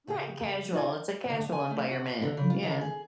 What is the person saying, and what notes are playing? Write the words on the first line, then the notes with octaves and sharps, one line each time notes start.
Right casual, it's a casual environment. Mm yeah.
C#3 G4 G#4 G5
D#4 F4 D5 G#5
D3
G#5
A3
F#4
D3
C#3
F4
D#3
G#4